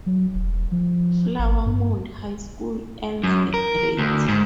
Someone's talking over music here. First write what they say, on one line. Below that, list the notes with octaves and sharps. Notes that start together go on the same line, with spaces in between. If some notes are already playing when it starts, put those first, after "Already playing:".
Flower Mound High School earns a Great!
F#3
E1
F3
G#1
G2
F#2
A#4
D2
G#2